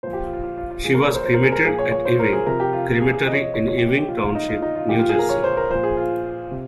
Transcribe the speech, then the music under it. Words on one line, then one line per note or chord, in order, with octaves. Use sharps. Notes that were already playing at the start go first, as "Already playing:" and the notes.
She was cremated at Ewing Crematory in Ewing Township, New Jersey.
A#2 F3 C5
G4
F4
F4
F4
F4
F4
A#2 F3 G#4
A#4
C#5
C5
C5
A#4
G#4
A#4
A#2 F3 G#4
C#5
C#5
C5
A#4
G#4
C3 F3 A#4
G4
F4
F4
G#4
G#4
C3 F3 D#5
C#5
D#5
C#5
C#5
G4
G4
G4
A#2 F3 F4
F4
D#4
F4
D#4
F4
A#2 F3 G4
F4
G#4
A#4
C#5
C5
A#4
A#2 F3 C5
G#4
F4
C3